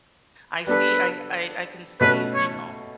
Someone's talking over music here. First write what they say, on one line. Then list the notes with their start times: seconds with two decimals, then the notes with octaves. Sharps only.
I see I I I can see, you know,
0.67 G3 B3 D4 A4 B4
2.01 B2 A3 C#4 B4
2.34 C#5